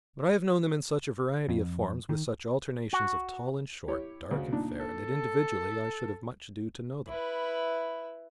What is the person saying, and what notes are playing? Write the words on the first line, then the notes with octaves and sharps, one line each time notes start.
But I have known them in such a variety of forms, with such alternations of tall and short, dark and fair, that, individually, I should have much ado to know them.
F2
D#3
F#4
E4 G4 C#5
D2 C#3
A#2 D4 D#4
A4
E4 B4